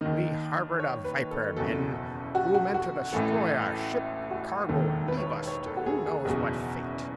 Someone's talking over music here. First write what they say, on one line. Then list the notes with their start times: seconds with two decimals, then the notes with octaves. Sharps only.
We harbored a viper, men, who meant to destroy our ship and cargo and leave us to who knows what fate?
0.01 D#2 D#3 D#5
0.80 C#5
1.04 B4
1.31 A4
1.57 F#1 E2 B2 A4
2.35 F#4
2.54 F#4
2.74 F#4
3.12 A1 A2 E3 A4
4.30 F#4
4.69 E1 D#2 D#3 A4
5.08 B4
5.17 C#5
5.27 B4
5.47 C#5
5.66 A4
5.77 F#4
5.86 G#4
6.06 G#4
6.25 F#1 E2 B2 G#4